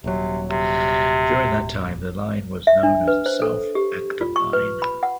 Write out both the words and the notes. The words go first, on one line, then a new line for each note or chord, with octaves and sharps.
During that time, the line was known as the South Acton Line.
D#1 C3 F#3
C3
E5
D4
B4
C5
A4
G4
F4
C#6
B4
B5
F#5